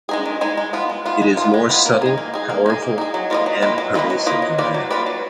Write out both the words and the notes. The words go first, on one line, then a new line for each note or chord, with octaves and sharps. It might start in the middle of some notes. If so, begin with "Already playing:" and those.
It is more subtle, powerful and pervasive than that.
G#3 D#4 G#4
D#3
G#3 D#4 G#4
G#3
B3 F4
G#3
B3 F4
G#3
B3 F4
G#3
B3 F4
A#3
D#4 G#4
A#3
D#4 G#4
A#3
D#4 G#4
A#3
D#4 G#4
F#3
A#3 F4 B4 D#5
F#3
A#3 F4 B4 D#5
F#3
A#3 F4 B4 D#5
F#3
A#3 F4 B4 D#5
F#3
A#3 F4 B4 D5
F#3
A#3 F4 B4 D5
F#3